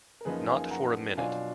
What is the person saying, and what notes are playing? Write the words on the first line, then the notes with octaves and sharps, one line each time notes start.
Not for a minute.
A#4
F#2 F3 A#3 D#4 G#4 B4
F5 G#5
F#5 A#5
B2 F#3 D4 F4 F5 G#5